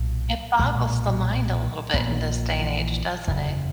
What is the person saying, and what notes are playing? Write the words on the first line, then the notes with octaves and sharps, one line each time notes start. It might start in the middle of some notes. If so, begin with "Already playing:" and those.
It boggles the mind a little bit in this day and age, doesn't it?
Already playing: B1 A#2
B1 A#2 G#3
A#1 A#2 B3
E3
F#1 E2 C#3